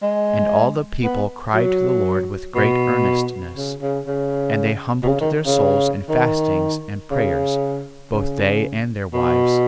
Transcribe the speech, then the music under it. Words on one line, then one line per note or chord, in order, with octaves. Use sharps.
And all the people cried to the Lord with great earnestness, and they humbled their souls in fastings, and prayers, both they and their wives.
G#3
B3
F#3
B2
C#3
C#3
C#3
B2
C#3
D#3
C#3
D#3
C#3
C#3
B2